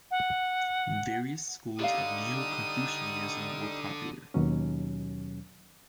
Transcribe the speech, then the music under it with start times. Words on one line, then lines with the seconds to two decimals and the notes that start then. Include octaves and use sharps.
Various schools of neo-Confucianism were popular.
0.11 F#5
1.79 D3 G3 D#4 G4 D5 F5 D#6
4.34 D#2 B2 F#3 C#4